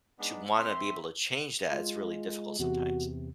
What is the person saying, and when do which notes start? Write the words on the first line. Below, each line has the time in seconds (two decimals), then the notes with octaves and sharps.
to wanna be able to change that, it's really difficult sometimes.
0.19 G#3 B3 D4 D#4
0.57 C4 E5 C6
1.72 G#3 F4
2.59 E2 C3 F#4